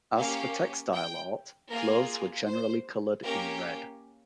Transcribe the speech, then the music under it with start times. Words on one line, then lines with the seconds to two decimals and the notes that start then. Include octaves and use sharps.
As for textile art, clothes were generally colored in red.
0.16 A#3 C#4 G4 F5
0.93 G5
1.70 A#3 F4 G#4 A#4
2.46 C5
3.23 A#3 C#4 G4 A#4